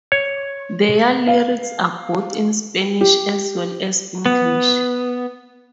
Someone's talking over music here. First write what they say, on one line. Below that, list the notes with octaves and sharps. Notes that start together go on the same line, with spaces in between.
Their lyrics are both in Spanish as well as English.
C#5
F5
G4
B3